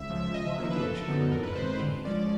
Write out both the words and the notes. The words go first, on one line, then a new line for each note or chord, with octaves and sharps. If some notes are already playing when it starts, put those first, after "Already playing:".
"Why, Dick," she cried, "would I be here?"
Already playing: C#2 E5
C#3 F3
C#2 D#5
E5
C#3 F3 A#3
B4
F#2 A4
D3 F#3 B3 D#4
F2 A#4
B4
C3 D#3 G#3 C5
C5
D3
F3 G#3 C#4 D5